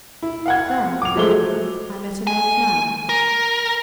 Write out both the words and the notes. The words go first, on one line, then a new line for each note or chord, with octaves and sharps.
Then I met an old man.
E4
F5 F#5 G#6
D6 F7
F3 F#3 G#3 A3 C5 G7
G#5
A#4